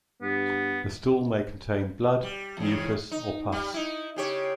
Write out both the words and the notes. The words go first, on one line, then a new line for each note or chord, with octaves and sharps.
The stool may contain blood, mucus, or pus.
G2 B3
G3
E2 C#3
D#4
G3
D#4 E4
C#3 G4 C#5